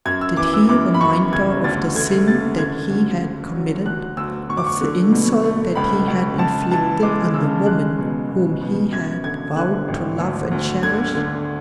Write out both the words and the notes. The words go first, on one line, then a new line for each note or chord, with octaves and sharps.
Did he remind her of the sin that he had committed?--of the insult that he had inflicted on the woman whom he had vowed to love and cherish?
F#2 G#6
E6
E3 D6
E6
F#2 D6
B5
F#2 C#6
C#3 G#6
D2 A6
A3 G#6
C#3 A6
D3 G#6
D2
D3
F#3
D2 F#6
D2 E6
D2 C#6
D6
C#6
D3
B2
A3
C#2 B5
C#2
C#2 A5
E3 A5
G#3 D6
C#3 E6
G#3 F#6
B2
B2
B2
F#2 G#6
D3 G#6
D3 F#6
G#1
D2
D2
D3 G#6
D3